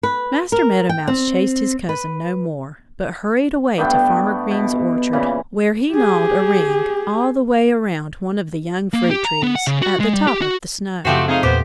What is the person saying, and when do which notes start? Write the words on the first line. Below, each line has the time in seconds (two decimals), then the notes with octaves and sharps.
Master Meadow Mouse chased his cousin no more, but hurried away to Farmer Green's orchard, where he gnawed a ring all the way around one of the young fruit trees, at the top of the snow.
0.03 B4
0.52 A#4
0.89 G5
1.08 C4
1.89 B4
3.78 G2 A3 B3 G5
4.51 B2
5.13 A#2 C#3 E3
5.92 G4 G#4
8.93 A#3
9.10 G4
9.25 A#5
9.43 B3
9.56 F#5
9.67 C#3
9.82 F#4
10.00 G#3
10.14 G3
10.27 G4
10.41 F#4
11.05 F#2 C#3 F3 A3 C4 F#4 G4 C5
11.28 C4 D#4 G#4 F5
11.43 E2 A#2 B3 G4 C5